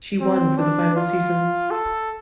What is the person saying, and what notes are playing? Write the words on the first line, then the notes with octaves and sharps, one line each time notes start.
She won for the final season.
C4
D4
F4
A4